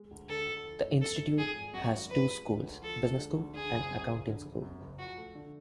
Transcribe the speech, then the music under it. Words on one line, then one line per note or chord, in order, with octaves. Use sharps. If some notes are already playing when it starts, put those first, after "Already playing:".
The institute has two schools: Business School and Accounting School.
Already playing: G#3
D2
D3 A4
D2
F3
G#1
F#2 A4
G#1
F3 G#4
G#1
F#2 F#4
G#1
F3 B4
G#3
D3
D2
F3 A4
G#3
D3
D2
D3 G#4
F#1
F#2
F#1
D3
F#1
F#2
F#1
F3 F#4
A3
D3